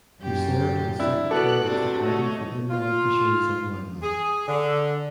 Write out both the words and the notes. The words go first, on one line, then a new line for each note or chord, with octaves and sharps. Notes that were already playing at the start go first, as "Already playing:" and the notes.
He served as secretary of the Committee for Inland Fisheries and Wildlife.
F#2 G4
D4 E4
B3 F#4 A4 D6 F#6
C3 D4
A3 C#5 D#5
F4
G#4
D3